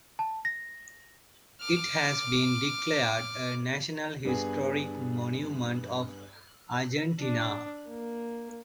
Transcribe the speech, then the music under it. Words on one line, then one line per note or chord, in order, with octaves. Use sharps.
It has been declared a National Historic Monument of Argentina.
A5
A#6
D6 F6
G2 B3 G#4
D4
A#3